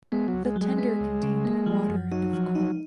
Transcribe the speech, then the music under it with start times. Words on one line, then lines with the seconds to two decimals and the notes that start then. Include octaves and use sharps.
The tender contained of water and of coal.
0.12 G#3 B3
0.28 F#3
0.34 C#2
0.45 G#3
0.56 F#3
0.61 G#3
0.78 B3
1.00 C#2
1.23 C#3
1.45 A#3
1.66 F3
1.89 F#2
2.11 F#3 D#4
2.33 F3
2.55 D#4